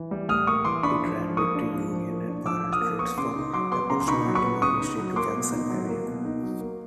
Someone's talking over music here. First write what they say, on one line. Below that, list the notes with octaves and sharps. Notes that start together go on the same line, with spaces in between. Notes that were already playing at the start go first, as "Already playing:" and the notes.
It ran between Union and Prior Streets from approximately Main Street to Jackson Avenue.
Already playing: E3
G3
A2 D#6 F6
A#3 C#6 D#6
E3 C6 D6
D4 B5 C#6
F3
F3
A#3 C#6 D#6
D4
F3
F3
A#3
D4
F3 D6 E6
F3
D#6 F6
A#3
B3 C#6 D#6
C#3 C6 D6
D#4
F#3 C6 D6
B3 C6 D6
C#3 A#5 C6
C6
D#4 B5 C#6
F#3
B5 C#6
B3
C#3 C#6 D#6
D#4
F#3
A#3 C6 D6
B2
D#4
F#3
A#3
B2
D#4
F#3
A#3